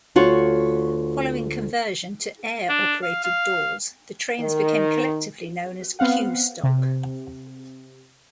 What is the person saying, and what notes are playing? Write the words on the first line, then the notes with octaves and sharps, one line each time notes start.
Following conversion to air operated doors, the trains became collectively known as Q Stock.
D2 F4 F#4 C#5
D4
F5
F5
D#3
B3 C4 F5 F#5
C3